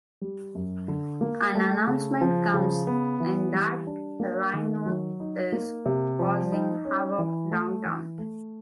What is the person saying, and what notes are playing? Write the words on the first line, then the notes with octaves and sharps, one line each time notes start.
An announcement comes in that Rhino is causing havoc downtown.
G3
F#2
D3
A#3
A3
C#3
F3
C#3
B3
E3
G3
D4
A#3
D#3
F#3
D#4
A#3
C3
F3
D#4
C#4
E3
A3
E3
A3